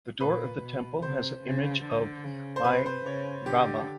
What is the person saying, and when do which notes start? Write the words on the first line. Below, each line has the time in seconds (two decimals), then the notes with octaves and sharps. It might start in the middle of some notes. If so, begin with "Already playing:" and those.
The door of the temple has an image of Bhairava.
0.20 A#2 B4
0.61 B2
1.01 C3 C5
1.43 C#3
1.84 D3
2.23 C#3
2.56 C5
2.64 C3 B4
2.86 C5
3.05 C#3 C#5
3.46 D3 G4